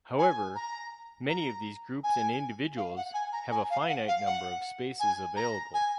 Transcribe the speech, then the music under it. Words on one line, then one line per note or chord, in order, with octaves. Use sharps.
However, many of these groups and individuals have a finite number of spaces available.
G#5
A#5
A#5
G#5
F5
F#5
G#5
A#5
G#5
F5
F#5
F5
F#5
G#5
A#5
G#5